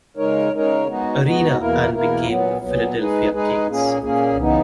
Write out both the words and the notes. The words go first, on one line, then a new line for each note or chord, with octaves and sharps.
Arena and became the Philadelphia Kings.
C#3 G#3 D#4 A#4 C#5
C#3 G#3 D#4 A#4 C#5
G#3 B3 D#4 F#4
G#3 B3 D#4 F#4
E2 B2 A#3 E4 A#4
E2 B2 A#3 E4 A#4
A#2 F#3 B3
A#2 F#3 B3
G#3 D#4 G#4 B4
G#3 D#4 G#4 B4
A#2 A#3 C#4 G#4
A#2 A#3 C#4 G#4
C#3 E3 B3 D#4